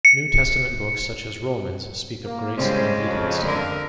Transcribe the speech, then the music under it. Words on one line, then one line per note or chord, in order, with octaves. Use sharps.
New Testament books such as Romans, speak of grace and obedience together.
C#7
A#3
A2 C#3 G3 G#3 C5
F2
D3 A#4